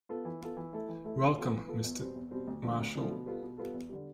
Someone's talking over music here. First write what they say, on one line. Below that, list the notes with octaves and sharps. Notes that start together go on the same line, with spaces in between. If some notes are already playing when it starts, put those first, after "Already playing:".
Welcome Mr. Marshall!
B3 F4 A4
E3
B3 F4 A4
E3
A3 E4 A4
E3
A3 E4 A4
E3
B3 F4 A4
E3
B3 F4 A4
E2
B2 G3 C4
E2
B2 G3 C4
D2
D3 F3 A3
D2
D3 F3 A3
B2
G3 B3 F4 A4
B2
G3 B3 F4 A4
E2
D3 G3